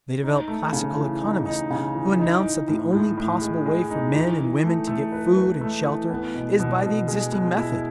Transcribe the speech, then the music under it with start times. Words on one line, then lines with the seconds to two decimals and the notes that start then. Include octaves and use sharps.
They develop classical economists who announce that the only possible way for men and women to get food and shelter is by the existing method.
0.23 D#4
0.48 A3
0.73 C#3
0.97 E3
1.21 D#4
1.46 D#4
1.70 C#3
1.95 E3
2.19 D#4
2.43 D#4
2.68 A2
2.93 A2
3.17 A2
3.42 G#3
3.66 G#3
3.90 D#4
4.14 E3
4.39 E3
4.64 A3
4.87 A3
5.12 B4
5.37 B4
5.61 A3
5.86 E3
6.10 B3
6.35 B2
6.60 B2
6.83 B2
7.08 G#3
7.32 B2
7.57 E4